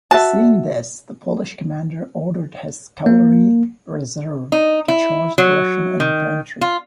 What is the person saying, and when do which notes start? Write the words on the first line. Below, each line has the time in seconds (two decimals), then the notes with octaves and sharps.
Seeing this, the Polish commander ordered his cavalry reserve to charge the Russian infantry.
0.11 F#4 E5 A5
3.06 A#3
4.52 D#4
4.88 E4
5.38 F#3
6.00 D#3
6.61 F4